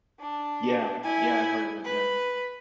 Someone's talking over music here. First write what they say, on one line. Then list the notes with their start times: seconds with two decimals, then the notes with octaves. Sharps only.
Yeah, yeah, I've heard of it, yeah.
0.20 D4
1.03 E4 G#5
1.84 B4